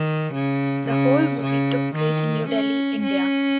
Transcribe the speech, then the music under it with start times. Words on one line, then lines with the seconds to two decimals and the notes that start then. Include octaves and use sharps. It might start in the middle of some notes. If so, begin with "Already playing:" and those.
The whole movie took place in New Delhi, India.
Already playing: D#3
0.34 C#3
0.88 C#3
1.42 C#3
1.96 D#3
2.49 C#4
3.04 C#4